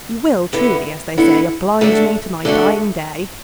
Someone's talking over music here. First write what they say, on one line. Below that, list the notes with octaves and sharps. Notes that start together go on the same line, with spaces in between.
You will truly, as they say, oblige me to my dying day.
D3 B3 E4
D3 B3 E4
D3 A3 D4 F#4
D3 A3 D4 F#4